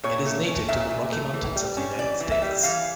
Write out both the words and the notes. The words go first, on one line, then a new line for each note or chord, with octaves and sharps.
It is native to the Rocky Mountains of the United States.
A#2 C#5
A3
C#4
A#2 E5
A#2
A3
E3
G3
C#4
E3 D5
E3
E5
G3
E3 F5